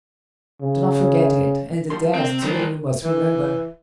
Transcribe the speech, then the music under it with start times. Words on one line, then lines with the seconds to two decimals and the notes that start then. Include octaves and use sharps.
Do not forget it, and the dance, too, you must remember.
0.62 C#3
1.90 F3 G3 C6
2.15 C4 A#4
2.27 C3
2.43 F#3 A#4 C5
2.55 D#3 G3 G#3
3.04 E3